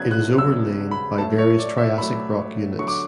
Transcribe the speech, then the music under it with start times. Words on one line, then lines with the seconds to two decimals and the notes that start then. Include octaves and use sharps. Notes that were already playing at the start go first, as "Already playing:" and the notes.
It is overlain by various Triassic rock units.
Already playing: C#3 F#3 B3 F#6 G#6
0.11 F#6
0.38 C#3 F#3 B3 E6
0.91 B5
1.18 A2 F#3 A3 A5
1.38 C#5
1.59 D5
1.78 E5
1.98 A2 F#3 A3 B5
2.78 D3 F#3 A3 C#6
2.88 D6